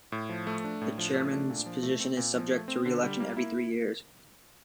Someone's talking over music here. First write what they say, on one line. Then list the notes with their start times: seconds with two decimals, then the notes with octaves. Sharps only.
The chairman's position is subject to re-election every three years.
0.12 A2
0.29 F3
0.47 A3
0.64 D4
0.82 A2
0.98 F3
1.15 A3
1.32 D4
1.50 A#2
1.66 F3
1.83 A3
2.00 C4
2.17 A#2
2.35 F3
2.51 A3
2.68 C4
2.86 D3
3.03 G3
3.20 A#3
3.37 E4